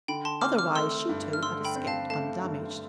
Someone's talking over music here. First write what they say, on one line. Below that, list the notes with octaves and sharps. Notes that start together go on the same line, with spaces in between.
Otherwise she, too, had escaped undamaged.
D3 G5 B5
A5 C6
C4 D6 F6
D6 F6
A3 C6 E6
G2
F6
D3 C6 E6
G5 B5
C4
F5 A5
A3 F5 A5
G2